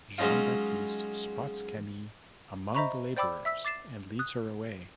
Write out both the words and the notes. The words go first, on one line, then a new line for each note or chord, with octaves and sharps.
Jean-Baptiste spots Camille among the laborers and leads her away.
F#3 G#3 C#4 D#4 F4
C5 D#5 E5 A#5 B5 C#6
C5 D5 G5 B5 D6 E6
E5 E6 B6
D6 A6 C7 E7
D#6 F#6